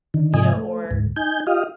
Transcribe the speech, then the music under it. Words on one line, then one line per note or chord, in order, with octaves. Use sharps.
You know, or,
D3 D#3
G#2 C3 F3 D#5 G#5
A3
D2 G#2
D#4 G#5 G6
F4 G4 D#5 F5